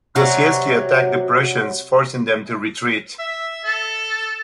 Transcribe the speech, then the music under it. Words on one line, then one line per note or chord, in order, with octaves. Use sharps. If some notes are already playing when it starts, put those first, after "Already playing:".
Gosiewski attacked the Prussians, forcing them to retreat.
C3 F#3 D5 A#5
E5
A4